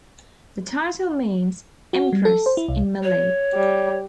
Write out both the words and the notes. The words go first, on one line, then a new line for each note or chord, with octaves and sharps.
The title means 'Empress' in Malay.
F#4
G3
A4
C5
E4
C2
C#5
G3